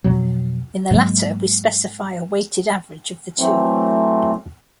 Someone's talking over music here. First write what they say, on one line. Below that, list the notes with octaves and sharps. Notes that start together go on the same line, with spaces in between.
In the latter, we specify a weighted average of the two.
F2 B2 F#3
G#2 F#3 G#3 A#3
E3 F#3 A3 C4